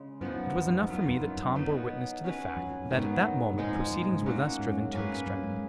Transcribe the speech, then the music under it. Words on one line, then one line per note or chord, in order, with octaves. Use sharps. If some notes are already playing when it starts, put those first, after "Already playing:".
It was enough for me that Tom bore witness to the fact that at that moment proceedings were thus driven to extremity.
Already playing: C#3 G#3
F#2 F3 B3 D#4 F#4
F2
F#2
F2
D#3 F#3 B3 F4
F2
F#2
B2 F#3 B3 D#4
F#3 C#4 G#4 B4
F2
A#2
G#2 D#3 F#3 B3
A#2
G#2 F3 G#3 D#4 G#4
F2
F#2
A#2
G#2
F#3 A#3 C#4 F#4
G#2
F#2
G#2
A#3 C#4 G#4 B4
F#2
G#2